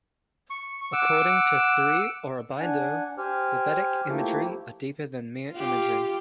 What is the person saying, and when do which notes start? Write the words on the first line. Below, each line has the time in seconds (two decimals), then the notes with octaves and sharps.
According to Sri Aurobindo, the vedic imagery are deeper than mere imagery.
0.50 C#6
0.93 F#5 D6 E6
2.60 D4 F#5 G#5
3.18 G4 C5 G5 G#5 D6 F6
4.09 F3 A3 A#3 E4 G4
5.52 F4 G4